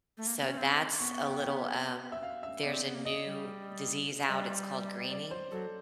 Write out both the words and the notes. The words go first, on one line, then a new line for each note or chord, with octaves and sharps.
So, that's a little, um there's a new disease out. It's called greening
A3
A#3
B3
C#4
C4
B3 C#6
C#6
G5
G5
E5
F5
E5
B3 D5
C4
B3
A#3
D#5
G3
G3 D#5
D5
C5
F#3 A4